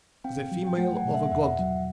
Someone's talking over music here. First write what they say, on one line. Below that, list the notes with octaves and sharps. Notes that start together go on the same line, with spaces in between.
The female of a god.
C4 F5 G5
F#3
G5
A3 F#5 G#5
F#5 G#5
B2
E5 F#5
E2 E5 F#5
F#3